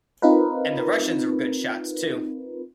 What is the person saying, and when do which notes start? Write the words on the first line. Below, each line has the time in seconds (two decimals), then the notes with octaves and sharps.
And the Russians were good shots too!
0.22 C4 D#4 F4 A#4 B4